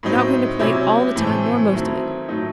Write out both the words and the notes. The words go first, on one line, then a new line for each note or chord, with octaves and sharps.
You're not going to play all the time nor most of it.
A2 F#3 C4 D#4
C3 F#3 C#4 E4
A2 E3 A3 C4
D#3 F#3 A3 C4 E4
A2 F#3 A3 D#4